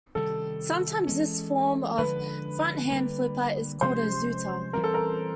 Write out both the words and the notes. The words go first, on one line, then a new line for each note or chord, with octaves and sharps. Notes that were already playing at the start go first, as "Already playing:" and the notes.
Sometimes this form of front-hand flipper is called a "zooter".
C3 D#3 G3 A4
E3 G#3 C#4
D3 F3 G#3 B4
D3 G3 A#3
C3 F3 G#3 C#4 C5
E3 G3 C4 A#4
A4
A#4